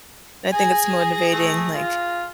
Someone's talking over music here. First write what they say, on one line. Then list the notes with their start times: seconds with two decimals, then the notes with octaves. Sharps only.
And I think it's motivating, like,
0.52 G#4 G#5 A#6
1.33 A3
1.74 F4